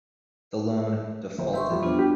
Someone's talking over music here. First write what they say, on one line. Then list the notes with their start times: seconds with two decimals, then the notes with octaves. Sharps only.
The loan defaulted.
1.38 G1 C5
1.53 G4 E5 C6 C#6
1.70 F2 G3
1.83 B3 D4 F4
1.99 G4